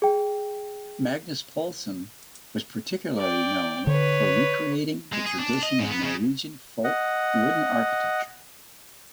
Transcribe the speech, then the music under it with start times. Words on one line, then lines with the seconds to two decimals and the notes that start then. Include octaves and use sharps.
Magnus Poulsson was particularly known for recreating the tradition of Norwegian folk wooden architecture.
0.02 G#4 G5
3.18 D5 G5
3.87 D3 B4 C#5
5.13 G#3
5.26 G#4
5.39 D4
5.63 D#5
5.79 G#2
5.90 B3
6.03 C#3
6.84 D#5 F#5